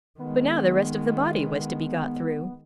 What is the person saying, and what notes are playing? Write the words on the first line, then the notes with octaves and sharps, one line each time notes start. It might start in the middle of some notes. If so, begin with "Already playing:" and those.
But now the rest of the body was to be got through!
D#3 G#3 B3